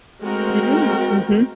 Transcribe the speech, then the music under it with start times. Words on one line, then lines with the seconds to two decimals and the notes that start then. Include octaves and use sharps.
Mm, mhm.
0.22 G#3 A3 C4 F#4 A#4 G5